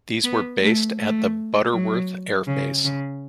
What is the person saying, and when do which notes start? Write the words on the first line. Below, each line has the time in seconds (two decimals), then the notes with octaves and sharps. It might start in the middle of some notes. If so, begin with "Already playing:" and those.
These were based at the Butterworth Air Base.
0.24 B3
0.62 A3
0.99 A3
1.73 F#3
2.47 C#3
2.84 C#3